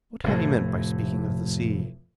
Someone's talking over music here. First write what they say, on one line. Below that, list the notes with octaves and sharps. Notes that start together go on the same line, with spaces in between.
What had he meant by speaking of the sea?...
F1 A2 A3